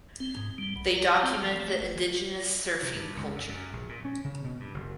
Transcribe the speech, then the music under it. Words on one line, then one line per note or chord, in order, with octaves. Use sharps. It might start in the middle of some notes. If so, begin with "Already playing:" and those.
They document the indigenous surfing culture.
C4
G#2
G3
B1
A#5
C4
F3
A3
F#1
C3
G2
C#2
F#2
F#2
A#1
A#2
C#4
C#3
B2
G2
F#1